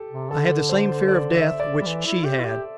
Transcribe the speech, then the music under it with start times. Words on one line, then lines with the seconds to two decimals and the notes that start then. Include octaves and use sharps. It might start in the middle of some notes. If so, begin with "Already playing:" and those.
I had the same fear of death which she had.
Already playing: G4 A4
0.11 C3
0.30 D3 A4
0.69 C5
1.08 D5
1.34 E5
1.60 D5
1.81 G3
1.86 E3
2.06 E4
2.25 G4
2.40 E4
2.45 G4